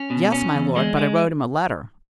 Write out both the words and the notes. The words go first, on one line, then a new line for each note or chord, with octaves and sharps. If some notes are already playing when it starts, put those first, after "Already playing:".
"Yes, my lord; but I wrote him a letter."
Already playing: C#4
B2
C#4
E2
G#3
G#3